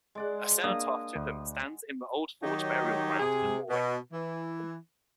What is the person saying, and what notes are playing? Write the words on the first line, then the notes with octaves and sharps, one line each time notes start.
A cenotaph to him stands in the Old Forge Burial Ground in Warwick.
G#3 D5 F#5
A#3 D4 D#6
D2
D#3 F#3 D#4 G4 C#5
C3 G#4
B2
E3